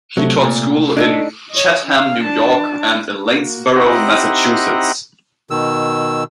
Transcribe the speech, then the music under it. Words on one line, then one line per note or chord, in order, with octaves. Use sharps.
He taught school in Chatham, New York, and in Lanesborough, Massachusetts.
C3 F#3 A3
A#2
D4 D#4 A4
C#5 D#5
C#4 F5
D4 A5
A#3 F#4
C4 D#4 E4 G4 F#5 A#5
B2 D#3 E6